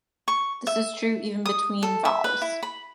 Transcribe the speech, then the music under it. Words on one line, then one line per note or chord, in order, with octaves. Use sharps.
This is true even between vowels.
C#6
E5
D#6
A4
E5
B4
E4
B5